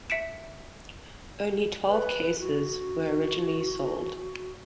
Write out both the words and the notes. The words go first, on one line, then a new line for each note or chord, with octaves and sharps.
Only twelve cases were originally sold.
E5 B6 C#7 D7 E7
B4
F#4